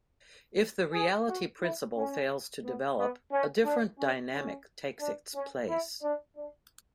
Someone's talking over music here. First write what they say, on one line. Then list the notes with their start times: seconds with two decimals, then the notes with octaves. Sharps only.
If the reality principle fails to develop, a different dynamic takes its place.
0.94 G#4
1.29 F#4
1.62 E4
1.96 C#4
2.64 B3
2.98 B3
3.32 C#4
3.65 D4
3.99 C#4
4.33 C#4
5.01 D4
5.35 C#4
5.68 E4
6.02 D4
6.36 D4